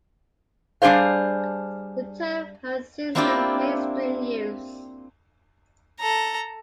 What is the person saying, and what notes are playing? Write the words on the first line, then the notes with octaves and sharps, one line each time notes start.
The term has since seen mainstream use.
G3 D4 G#4 C5 F5
A#3 C4 D4 E4 F4 G4
A4 A#5